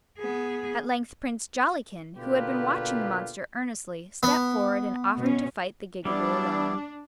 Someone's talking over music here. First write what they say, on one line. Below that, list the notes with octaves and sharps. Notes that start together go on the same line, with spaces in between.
At length Prince Jollikin, who had been watching the monster earnestly, stepped forward and offered to fight the Gigaboo alone.
B3 G#4
B2 D3 A#3 F4 G4 B4
B3
B2 C#4
G3 B3 D4 E4 D6